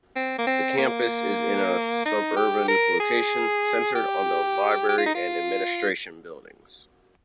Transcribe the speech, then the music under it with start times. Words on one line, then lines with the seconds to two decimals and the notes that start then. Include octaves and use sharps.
The campus is in a suburban location, centred on the library and administration buildings.
0.16 C4
0.38 A#3
0.47 C4
0.78 A#3
2.05 D#4
2.36 G4
2.68 A#4
3.00 G#4
3.95 G4
4.89 G4
4.98 F4
5.06 D#4
5.15 F4